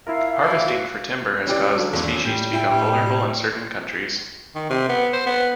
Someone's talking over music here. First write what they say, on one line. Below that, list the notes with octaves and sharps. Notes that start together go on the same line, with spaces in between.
Harvesting for timber has caused the species to become vulnerable in certain countries.
E4 F4 A#4 E5 F5
A2 E3
F#4
E3 C#4 G4 D5
D3 F#3
G#1 E2 C#4
A2 G3 G6
E4 G5
A2 G3
D#3
C3
B3
C5
B3